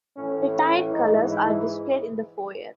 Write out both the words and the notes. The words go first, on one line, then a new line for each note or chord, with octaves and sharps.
Retired Colours are displayed in the foyer.
A2 E3 C#4
C#4
G#2 E3 D#4
E4